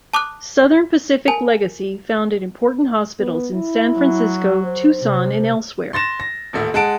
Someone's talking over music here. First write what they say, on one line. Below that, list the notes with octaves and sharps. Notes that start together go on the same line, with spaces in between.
Southern Pacific legacy founded important hospitals in San Francisco, Tucson, and elsewhere.
A5 D6 D#6 F#6
A#4 G#5 A5
B3
E4
F#3
C5
C3
C6 A6 A#6 E7
A#6
D#1 A1 A3
G#3 F#5 A5 D7